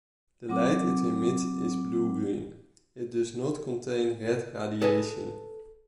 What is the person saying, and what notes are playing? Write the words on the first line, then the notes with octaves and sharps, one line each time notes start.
The light it emits is blue-green, it does not contain red radiation.
F#3 C4 F#5 D6
A4 B4 D#5 G#5